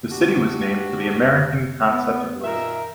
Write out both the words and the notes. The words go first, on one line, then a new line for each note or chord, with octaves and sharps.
The city was named for the American concept of liberty.
D4 F#4 G4
B3
A#2 D#3 A#4 E5